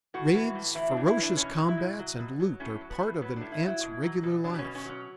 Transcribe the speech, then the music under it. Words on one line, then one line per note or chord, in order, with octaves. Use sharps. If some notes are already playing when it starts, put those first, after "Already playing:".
Raids, ferocious combats, and loot are part of an ant's regular life.
A2 F#4
E3
A2
E3 E4
D4
A2
E4
E3
D4
B2 C#4
F#3
E4
B2
F#3
B2
F#3
A2 C#4
F#3
B3
A2
F#3 B3
D4
A2
E4
F#3 E4
B2
F#3
B2
F#3 D4
B3
C#4
B2
C#4
F#3 C#4